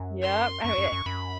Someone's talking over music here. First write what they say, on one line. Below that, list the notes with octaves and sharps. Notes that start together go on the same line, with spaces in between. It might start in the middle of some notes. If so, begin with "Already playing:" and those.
Yep, I mean,
Already playing: F#2
C6
F#2 C#6
F#2
F#2
F#2 B5